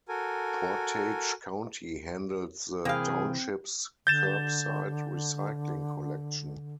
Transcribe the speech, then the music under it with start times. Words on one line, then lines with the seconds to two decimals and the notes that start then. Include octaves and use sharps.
Portage County handles the townships's curbside recycling collection.
0.09 F#4 A4 A#4 G#5
2.85 C3 E3 A#3 C4 G#4 B4 F5 G5
4.07 D3 G6 A6 E7